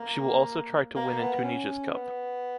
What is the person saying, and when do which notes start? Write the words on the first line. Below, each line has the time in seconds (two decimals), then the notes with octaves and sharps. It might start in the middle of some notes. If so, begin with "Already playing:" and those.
She will also try to win in Tunisia’s cup.
Already playing: A#3
0.96 A#3
1.20 B3
1.43 C#4
1.92 B3